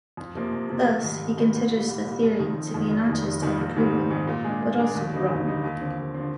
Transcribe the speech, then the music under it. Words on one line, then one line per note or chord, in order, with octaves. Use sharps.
Thus, he considers the theory to be not just unproven but also wrong.
F2
C3 F3 A#3
F2
C3 F3 A#3
A#1
G#2 D#3 G3
A#1
G#2 D#3 G3
C2
A#2 G3
C2
A#2 G3
F1
F2 D#3
F1
F2 D#3
F1
F2 D#3 G3
F1
F2 D#3 G3
A#1
G#2 D#3 G3 C4
A#1
G#2 D#3 G3 C4
A#2
G#3 D4
A#2
G#3 D4
D#2
D3 G3 C4 D#4
D#2
D3 G3 C4 D#4
D#2
D3 F3 C4
D#2
D3 F3 C4